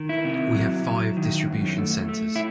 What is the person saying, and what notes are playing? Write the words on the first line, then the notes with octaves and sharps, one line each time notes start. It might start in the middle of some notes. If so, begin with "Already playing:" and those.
We have five distribution centres.
Already playing: D#3
E4
C3
F#3
F#3
D#3
F#2
A3
A3
E4